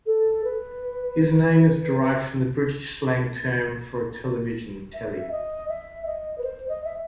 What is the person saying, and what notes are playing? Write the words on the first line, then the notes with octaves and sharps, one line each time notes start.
His name is derived from the British slang term for a television, "telly".
A4
B4
E5
D#5
E5
D#5
B4
C5
D#5
E5